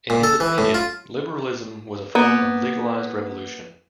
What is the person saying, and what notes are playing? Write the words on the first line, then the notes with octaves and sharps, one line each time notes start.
In his opinion, liberalism was a form of legalized revolution.
A#2
A4
E3
A2
F4
A#3 B3